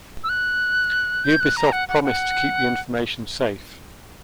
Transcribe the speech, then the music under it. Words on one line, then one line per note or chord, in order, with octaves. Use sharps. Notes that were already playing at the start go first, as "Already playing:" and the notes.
Ubisoft promised to keep the information safe.
E6
F#6
G6
F#6
A#5
F#5
F#5
F#5